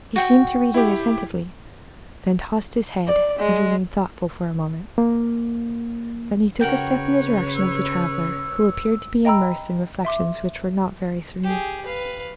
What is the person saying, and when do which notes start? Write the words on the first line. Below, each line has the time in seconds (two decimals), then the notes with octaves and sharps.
He seemed to read it attentively, then tossed his head, and remained thoughtful for a moment. Then he took a step in the direction of the traveller, who appeared to be immersed in reflections which were not very serene.
0.16 F#4 G5
0.74 E4 G4
3.07 D5
3.40 G#3
4.98 A#3
6.61 C#3 F#4 A#4 B4 C#5 G5
7.55 E6
9.25 D#5 G5 A#5 B5 E6
10.05 E5 C6 D6
11.43 G4 G#4
11.85 B4 F5